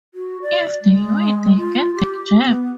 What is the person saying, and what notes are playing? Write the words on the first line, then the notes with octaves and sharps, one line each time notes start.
If they win, they get the gem.
F#4
D5
G#3
F4
G4
B3